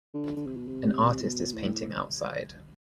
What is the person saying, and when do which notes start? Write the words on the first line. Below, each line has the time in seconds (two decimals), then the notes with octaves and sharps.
An artist is painting outside.
0.14 D3
0.36 D3
0.46 C3
0.56 B2
0.67 C3
1.22 B2
1.53 A2